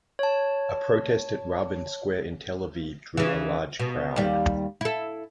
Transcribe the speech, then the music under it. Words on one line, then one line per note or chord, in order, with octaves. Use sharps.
A protest at Rabin Square in Tel Aviv drew a large crowd.
C#5 A5
C#3 E3
B2
D#2 G3
E4 A4